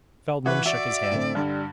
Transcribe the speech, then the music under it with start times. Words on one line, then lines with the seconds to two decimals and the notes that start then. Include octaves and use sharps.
Feldman shook his head.
0.46 E3 F#4 B4
0.66 F#4 D5 E5
1.12 A2 D3 C4
1.35 G2 D3 G3